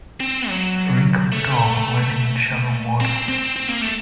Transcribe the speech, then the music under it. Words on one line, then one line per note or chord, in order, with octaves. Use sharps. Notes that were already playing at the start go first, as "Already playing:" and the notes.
A wrinkled dog wading in shallow water.
C4
F#3
A3
C4
C4
C4
A#3
A3